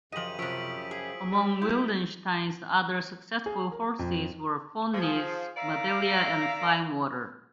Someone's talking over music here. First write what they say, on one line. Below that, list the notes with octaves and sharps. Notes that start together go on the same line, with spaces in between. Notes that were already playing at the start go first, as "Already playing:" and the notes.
Among Wildenstein's other successful horses were Pawneese, Madelia, and Flying Water.
F#2 C#3 F3 G4 D#5 D#7 F#7
C3 F3 C#4 E6 B6 D7
G#4
F#3
G3
E4 G6
G#4
A#4
F2
F3 G#4
A#4 D5 E5 F5 A#5